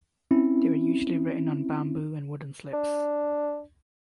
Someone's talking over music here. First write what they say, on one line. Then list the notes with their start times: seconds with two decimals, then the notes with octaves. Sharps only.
They were usually written on bamboo and wooden slips.
0.31 C4 C#4 E4
2.73 D4